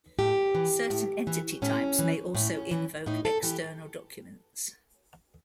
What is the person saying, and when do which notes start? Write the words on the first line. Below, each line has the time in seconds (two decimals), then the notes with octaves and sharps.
Certain entity types may also invoke external documents.
0.19 A2 G4
0.55 E3
0.90 A2
1.27 E3
1.62 A2 C#4
1.99 E3
2.35 A2 C#4
2.71 E3
3.06 A2 D#4
3.25 A4
3.43 E3 G4